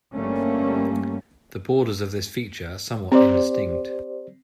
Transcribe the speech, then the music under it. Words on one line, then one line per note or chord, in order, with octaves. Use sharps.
The borders of this feature are somewhat indistinct.
G1 G2 G3 A3 A#3 C#4
C4 G4 C5 D5